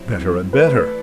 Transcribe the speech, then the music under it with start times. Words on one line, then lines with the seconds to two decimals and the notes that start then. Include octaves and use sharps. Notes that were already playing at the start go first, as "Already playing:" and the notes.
Better and better.
Already playing: F#3 C4 E4
0.53 E3 A3 E4 A4 B4 D5